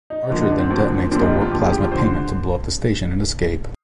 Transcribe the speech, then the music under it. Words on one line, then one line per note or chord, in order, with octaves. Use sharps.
Archer then detonates the warp-plasma payment to blow up the station and escape.
D#4
D2 D3 F3 A#3
D#4
D4
C4
D2 D3 F3 A#3
F1 D#2 D3 F3 C4 D4
D#4
F4
F4
F1 D#2 D3 F3 C4 G4
G#4
G4
F4
D3 C5